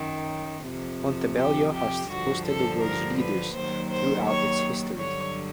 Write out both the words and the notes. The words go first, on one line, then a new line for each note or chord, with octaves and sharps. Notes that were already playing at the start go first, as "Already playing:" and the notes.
Montebello has hosted the world's leaders throughout its history.
Already playing: F#2 D#3 F#3
F2 C3 F3
G4
G4
G2 D3 F3 F#4
A4
A#4
B4
D#2 D#3 F#3 C5
C5
C#5
G2 D3 F#3 C#5